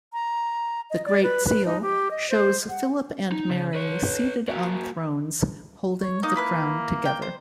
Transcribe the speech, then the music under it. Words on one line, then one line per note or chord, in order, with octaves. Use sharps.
The Great Seal shows Philip and Mary seated on thrones, holding the crown together.
A#5
D#5
D5
B4
B4
D#4
G4
D#5
C5
F#5
D#4
C#3
B4 C#5
A#3 F#4
C#5
A#3 D#4 D#5
E4 B4 F#6
G5
C5